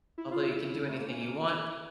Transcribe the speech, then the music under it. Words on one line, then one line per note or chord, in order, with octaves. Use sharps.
although you can do anything you want,
E4
F4
E4
A3
A#3
C#4
A#3